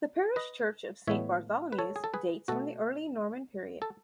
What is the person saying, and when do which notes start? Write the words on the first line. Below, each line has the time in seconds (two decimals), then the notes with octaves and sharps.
The parish church of Saint Bartholomew's dates from the early Norman period.
0.36 B4 D#5
1.07 A2 E3 G#3 B3 C#5 E5
1.72 B4
1.79 A4 C#5
1.96 G#4
2.04 A4
2.14 G#4 B4
2.48 B2 A3 F#4 A4
3.82 A4